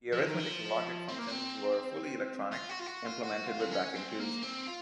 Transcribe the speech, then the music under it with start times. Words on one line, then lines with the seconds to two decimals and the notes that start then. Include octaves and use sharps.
The arithmetic logic functions were fully electronic, implemented with vacuum tubes.
0.13 F3
0.26 D#3
0.40 F3
1.08 C4
1.18 A#3
1.28 C4
2.52 F4
2.69 F#4
2.80 F4
2.87 F#4
3.05 F4
3.23 F#4
3.47 F4
3.60 C4
3.71 C#4
3.95 C4
4.19 A#3
4.43 C4
4.67 F4